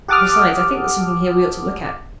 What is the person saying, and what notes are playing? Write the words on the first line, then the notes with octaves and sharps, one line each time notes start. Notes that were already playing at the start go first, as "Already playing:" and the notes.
Besides I think there's something here we ought to look at.
G4 F#5 A5 D6 D#6 F6